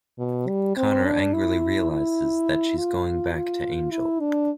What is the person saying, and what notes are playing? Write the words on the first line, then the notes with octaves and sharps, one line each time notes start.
Connor angrily realizes that she's going back to Angel.
B2
G3
C4
D4
E4
E4
F4
F4
E4
D4